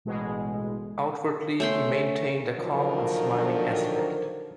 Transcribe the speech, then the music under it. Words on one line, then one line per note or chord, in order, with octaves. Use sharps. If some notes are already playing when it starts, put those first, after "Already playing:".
Outwardly, he maintained a calm and smiling aspect.
A1 B2 G#3
A3 C#4 G5 C6
D3 D#3 F3 F#3 D4 A#4